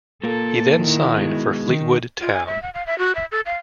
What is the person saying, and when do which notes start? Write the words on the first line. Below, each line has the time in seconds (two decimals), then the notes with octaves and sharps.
He then signed for Fleetwood Town.
0.24 A#2 A#3 A4
0.77 D#3 E4
1.17 B2 G#3
1.66 D#3
2.21 F4
2.34 G#5
2.47 E5
2.63 F#5
2.74 F5
2.87 E5
2.99 F#4
3.15 E5
3.32 A4
3.46 F5